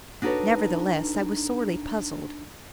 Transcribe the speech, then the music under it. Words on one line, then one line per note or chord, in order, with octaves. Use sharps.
Nevertheless, I was sorely puzzled.
D4 D#4 F#4 A4 B4 C#5